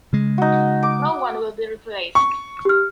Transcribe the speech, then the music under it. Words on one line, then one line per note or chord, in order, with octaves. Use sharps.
No one will be replaced.
C#3 G#3
D#4 F#4
D6
C#6
G4 F6